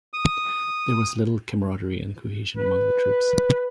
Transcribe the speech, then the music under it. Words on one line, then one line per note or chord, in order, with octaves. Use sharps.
There was little camaraderie and cohesion among troops.
D#6
B4